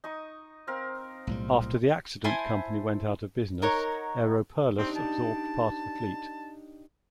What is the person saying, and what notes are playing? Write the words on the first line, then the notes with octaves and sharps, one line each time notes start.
After the accident company went out of business, Aeroperlas absorbed part of the fleet.
D#4 C#6 D#6
C4 A#4 F5
B1 A2 G3
E4 C5 G#5 A5
D#4 A#4 C#5 F#5
C4 D4 D#4 G4
A5